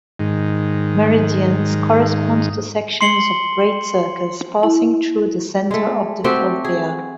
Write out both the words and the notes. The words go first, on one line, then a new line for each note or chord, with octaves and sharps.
Meridians correspond to sections of great circles passing though the centre of the fovea.
G#2 D#3
C6 C7 C#7 F#7 G7
E4
G#3 A3
A3 C4 F#4 G4
G#4